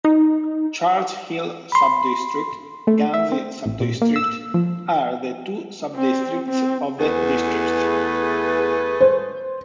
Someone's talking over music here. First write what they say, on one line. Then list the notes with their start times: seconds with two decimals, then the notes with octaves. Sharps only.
Charles Hill Sub-District, Ghanzi Sub-District are the two sub districts of the district.
0.05 D#4
1.72 B5 C6
2.87 A3
3.14 E5
3.32 C4
3.66 A1
3.80 A#2
4.02 A#3
4.16 E6
4.54 F3
5.95 C4
6.48 C4
6.99 E2 A3 G#4 B4
9.01 C5